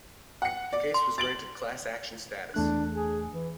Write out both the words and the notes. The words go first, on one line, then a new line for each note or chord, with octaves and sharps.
The case was granted class action status.
F#5 C#7
D5
C6
C6 A6 D7 F#7
E2 A3 D4 F#6
G#4
E3